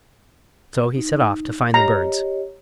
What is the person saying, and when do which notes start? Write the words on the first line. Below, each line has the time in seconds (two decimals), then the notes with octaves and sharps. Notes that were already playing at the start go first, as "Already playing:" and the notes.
So he set off to find the birds.
0.96 D#4
1.74 G4 C#5 D#5 A#5